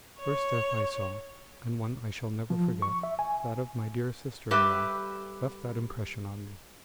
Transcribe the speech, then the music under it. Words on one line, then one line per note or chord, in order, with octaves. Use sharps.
The first death I saw, and one I shall never forget--that of my dear sister-in-law--left that impression on me.
C#5
F3
C#6
E5
G#5
G3 G4 A4 B4 E5